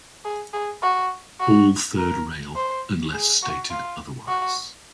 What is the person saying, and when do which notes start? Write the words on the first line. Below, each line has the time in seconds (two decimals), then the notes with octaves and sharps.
All third rail unless stated otherwise.
0.24 G#4
0.53 G#4
0.82 F#4
1.40 F#4
1.98 A#4
2.56 C5
3.13 G#4
3.42 F#4
3.70 F4
4.28 F#4